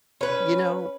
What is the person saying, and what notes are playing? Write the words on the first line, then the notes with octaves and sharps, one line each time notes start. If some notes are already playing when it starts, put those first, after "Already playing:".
You know
C#4 B4